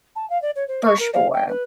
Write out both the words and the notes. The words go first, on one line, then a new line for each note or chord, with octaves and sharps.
For sure.
A5
F5
D5
C#5
C5
C#6
A#4
F5
G5
B4